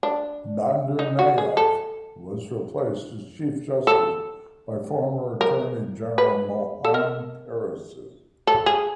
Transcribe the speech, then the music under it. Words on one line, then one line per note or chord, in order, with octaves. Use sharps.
Bandaranayake was replaced as chief justice by former Attorney General Mohan Peiris.
D4
D#4
F#4
G#4
A4
A4
A#4
B4
A4
A#4
A4
G#4